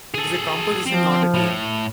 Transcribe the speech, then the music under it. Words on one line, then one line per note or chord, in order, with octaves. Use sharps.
It is a composition not a tune.
G#4 A4
F3 C4
A2